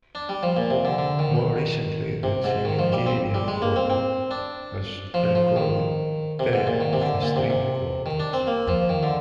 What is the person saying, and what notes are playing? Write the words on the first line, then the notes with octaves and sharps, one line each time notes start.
More recently, the Chilingirian Quartet has recorded ten of the string quartets.
D4
G3
F3
A#2
C3
D3
D3
D#3
C3
G#2
D#3
F3
G3
C4
G3
G#3
A#3
C4
C4
D4
F3
F3
D#3
C3
G#2
A#2
D#3
C3
D3
A#2
C3
C3
D#3
D4
C4
A#3
F3
D#3
D3